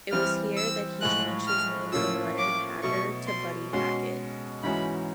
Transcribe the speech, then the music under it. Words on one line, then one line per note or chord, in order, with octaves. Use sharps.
It was here that he changed his name from Leonard Hacker to Buddy Hackett.
E3 G3 C4 F6
E6
A2 F3 G#3 F#6
F6
A2 F3 A#3 C#4 F4 E6
D6
B2 F#3 A3 C#6
C6
B2 G#3 C#4 F#4 C6
G#2 E3 G#3 C#4 F#4 B5